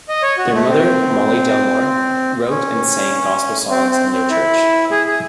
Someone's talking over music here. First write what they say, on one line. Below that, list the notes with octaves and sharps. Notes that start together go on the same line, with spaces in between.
Their mother, Mollie Delmore, wrote and sang gospel songs for their church.
D#5
C#5
F#4
A3
C4
C#4
C4
C4
C4
E4
G#4
G#4